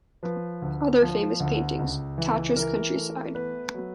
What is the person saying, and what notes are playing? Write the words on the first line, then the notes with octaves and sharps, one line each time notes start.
Other famous paintings: Tatras countryside.
F3 B4
D2
F3
D2
C#2
E3
E3 A#4
A3
B3 B4
F#3